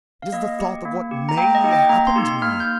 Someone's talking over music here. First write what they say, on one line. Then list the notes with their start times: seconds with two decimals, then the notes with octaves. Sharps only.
"It is the thought of what MAY happen to me."
0.22 F5
0.33 A#3 D#5
0.59 G4
0.85 A#3
1.11 G4
1.29 A#5
1.37 A#3 G5
1.55 D#5
1.64 D#4 G4
1.72 G5
1.89 A#3 A#5
2.07 C6
2.16 D#4 G4
2.25 C6
2.42 A#3 F6
2.60 G6